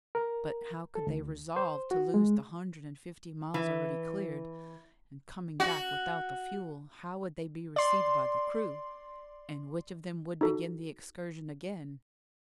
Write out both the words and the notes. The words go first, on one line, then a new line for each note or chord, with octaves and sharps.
But how could they resolve to lose the hundred and fifty miles already cleared? and coming back without the fuel, how would they be received by the crew? and which of them would begin the excursion again?
A#4
A4
D2
C5
F#4
G#3
E3
F#4
D5 C6
D#4 F#4 A4